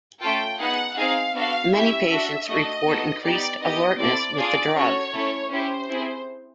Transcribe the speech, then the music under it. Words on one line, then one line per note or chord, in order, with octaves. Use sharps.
Many patients report increased alertness with the drug.
A3 C#4 F4 A4 G5
B3 D#4 G#4 F#5
C4 D#4 G#4 F5
B3 D4 F#4 A4 F5
C#4 E4 G4 E5
D4 F#4 A4
A3 D4 F#4 A4 D#5
B3 D#4 F#4 A4
B3 D#4 G4 D5
B3 D#4 G4 D#5
C4 E4 A4 D5
D4 F4 G#4 D5
C#4 F#4 A4 C#5
A3 C#4 E4 A4
C#4 E4 G4 C5
C4 E4 G#4